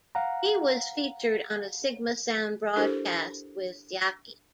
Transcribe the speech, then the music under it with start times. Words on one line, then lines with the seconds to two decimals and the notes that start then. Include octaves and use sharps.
He was featured on a Sigma Sound broadcast with Sciaky.
0.15 F5 F#5 A#5
2.76 D4 E4 G4 A4 A#4 C5